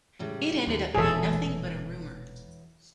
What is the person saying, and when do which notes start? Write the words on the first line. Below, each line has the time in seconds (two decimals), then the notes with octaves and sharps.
It ended up being nothing but a rumor.
0.19 A2 C#3 G3
0.67 D#2
0.94 E1 A#2 E3 F#3 G#4 A4